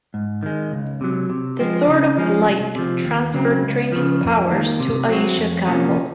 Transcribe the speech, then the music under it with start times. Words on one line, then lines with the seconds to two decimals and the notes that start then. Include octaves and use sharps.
The Sword of Light transferred Trini's powers to Aisha Campbell.
0.14 G#2
0.43 D#3 G#3
0.72 C#2
1.01 C3 F#3
1.30 C3
1.59 F3 G#3 C4
1.88 C#3
2.17 F3 G#3 C#4
2.46 C2
2.76 C3 F3
3.04 D#2
3.34 C#3 F#3 C4
3.63 C#2
3.92 C#3 F3
4.21 F2
4.50 D#3 A#3
4.80 C3
5.08 F#3 C4 F#4
5.38 F2
5.67 C3 F3 A#3 C#4